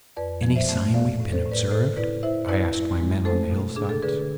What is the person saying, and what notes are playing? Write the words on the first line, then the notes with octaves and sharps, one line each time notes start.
"Any signs we have been observed?" I asked my men on the hillsides.
F2 B4 D5
F3
C5 E5
A3
A2 D5 F5
A2
A4 C5
A2
B4 D5
A2 A4 C5
E4 B4 D5
E4 C5 E5
E4 B4 D5
E4
G#3
A3 A4 C5
B2
D4 G#4
A4
D3 G#4 B4